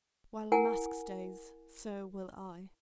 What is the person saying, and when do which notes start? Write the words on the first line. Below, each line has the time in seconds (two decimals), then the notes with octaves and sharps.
"While La Masque stays, so will I."
0.52 E4 A#4 F#5 G#5